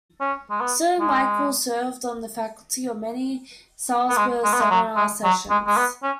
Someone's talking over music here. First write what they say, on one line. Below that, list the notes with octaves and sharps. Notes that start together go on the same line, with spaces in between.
Sir Michael served on the faculty of many Salzburg Seminar Sessions.
C#4
G#3
B3
G#3
B3
G#3
G#3
B3
G#3
F#3
G#3
F#3
G#3
G#3
B3
C#4